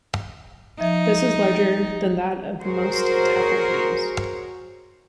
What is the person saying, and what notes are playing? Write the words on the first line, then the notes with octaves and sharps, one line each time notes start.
This is larger than that of most "tafl" games.
F3 D#4 E5
F#4 G#4 A#4 C5 C#5